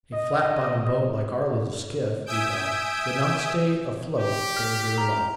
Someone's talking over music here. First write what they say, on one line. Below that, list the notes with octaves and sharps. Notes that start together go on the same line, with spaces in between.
A flat-bottomed boat like our little skiff, we thought, could not stay afloat there very long.
D#5
E5 G#5 D#6 E6 G6 D7
G4
F6 B6
A#5